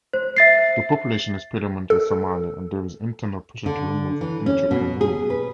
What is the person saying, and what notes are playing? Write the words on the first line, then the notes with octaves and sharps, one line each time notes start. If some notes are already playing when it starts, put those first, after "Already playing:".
The population is predominantly Somali, and there is internal pressure to remove Ethiopian rule.
C5
E5 A6 C7
A4
D3
E3
C#4
B2
G#4
B4